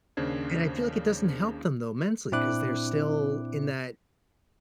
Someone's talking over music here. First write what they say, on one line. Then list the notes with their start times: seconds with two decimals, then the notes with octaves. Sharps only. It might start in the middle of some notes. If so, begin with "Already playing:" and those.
And I feel like it doesn't help them, though, mentally, 'cause they're still in that
0.17 D#2 C#3 A#3 D4 C5 G#6
2.32 A#2 C4 D4 E4 D6 F#6